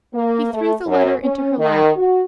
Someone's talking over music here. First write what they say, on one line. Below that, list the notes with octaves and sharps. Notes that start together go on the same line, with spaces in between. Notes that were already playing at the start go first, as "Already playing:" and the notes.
He threw the letter into her lap.
A#3
A3
F#2
C#4
D#3
F#4